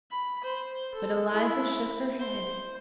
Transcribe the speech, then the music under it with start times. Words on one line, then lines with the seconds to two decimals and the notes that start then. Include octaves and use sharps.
But Eliza shook her head.
0.11 B5
0.44 C5
0.94 A4
1.30 E4
2.19 C5